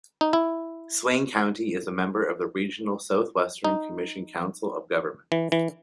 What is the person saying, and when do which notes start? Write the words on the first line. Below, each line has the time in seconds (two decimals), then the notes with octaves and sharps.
Swain County is a member of the regional Southwestern Commission council of governments.
0.21 D#4
0.33 E4
3.64 D#4
5.32 E3
5.52 E3